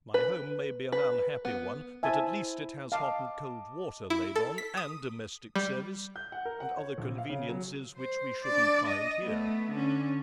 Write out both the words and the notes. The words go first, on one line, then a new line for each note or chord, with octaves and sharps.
My home may be an unhappy one, but at least it has hot and cold water laid on, and domestic service, and other conveniences which we shouldn't find here.
B4
B4
B3
E4 C5 E5 G#5 A5
D#5 F5 A5 D6
E4
A4
B6
D#6
G3
G6
F#5
A#4
F#5
C#5
A#1
F5
C#3
F#3
C5
D4 D5
D#5
A3 B3
D3 C#4